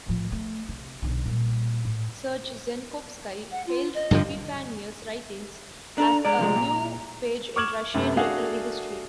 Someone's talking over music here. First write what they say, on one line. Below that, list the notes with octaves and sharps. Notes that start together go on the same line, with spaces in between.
Serge Zenkovsky hails Epiphanius' writings as "a new page in Russian literary history".
A2 F3
A3
C3
B1 D3
A#2 G3
A2
F#5
F4
D#5
G2 D3 F3
D4 A4 A#5
G#3 D5 A#5
C3 F3 G#3
A#2
C#6 D6 F6 G#6 E7 F#7
F#2 C3 A3 B3
A3 D4 F#4 G#4 F5 F#5